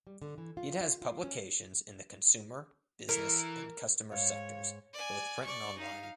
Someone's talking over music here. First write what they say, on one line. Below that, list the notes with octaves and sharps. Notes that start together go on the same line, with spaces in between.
It has publications in the consumer, business and customer sectors, both print and online.
G3
D3
E3
F4
F4
F4
C#4
E3 A#4
G#2 C#5 F5
D5 G#5
D5 C#6
D#4 F5